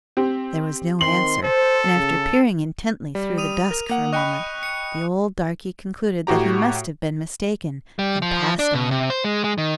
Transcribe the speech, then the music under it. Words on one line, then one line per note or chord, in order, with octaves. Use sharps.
There was no answer, and, after peering intently through the dusk for a moment, the old darkey concluded that he must have been mistaken, and passed on.
C4 G4
D#3 C4 C6 F#7
A4 C5
C#3
G3
D#6 D#7 F7
A#4
A#3 F#5
D#5 G5 B5 C#6 F#6 C#7
C#7
A2 F#4 G4 A#5
G3
F3
D4
B2
C3
C5
G#3
G#3
D#3